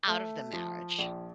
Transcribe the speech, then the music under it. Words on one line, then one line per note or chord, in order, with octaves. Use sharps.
out of the marriage?
A3
F3
A#1